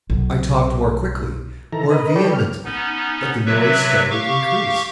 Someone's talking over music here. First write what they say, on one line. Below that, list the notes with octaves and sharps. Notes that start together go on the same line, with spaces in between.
I talked more quickly--more vehemently; but the noise steadily increased.
B1
D#3 E3 A4 A#5
A#4 B4 D#5
A4 B4 C#5 D5 G5
F6
B3 C#4 D#4
C3 F#3 B4 E5
G4 F5 C#6